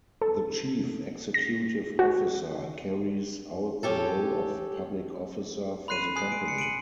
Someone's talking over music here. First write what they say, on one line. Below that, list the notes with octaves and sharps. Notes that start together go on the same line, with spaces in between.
The Chief Executive Officer carries out the role of Public Officer for the Company.
A4
A#6
F#4
C#4 G4 A4
B5 C6 F#6 C7 D#7
F#6
G#5 C6 D#6 F#6 C7
D7
C7 C#7
D7 D#7 F#7